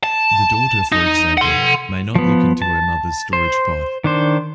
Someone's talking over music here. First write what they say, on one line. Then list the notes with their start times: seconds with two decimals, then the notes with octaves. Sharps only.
The daughter, for example, may not look into her mother's storage pot.
0.03 A5
0.92 D#4
1.37 F#5 C6
2.15 F3 B3
2.62 A5
3.33 C5
4.04 D#3 D4 C5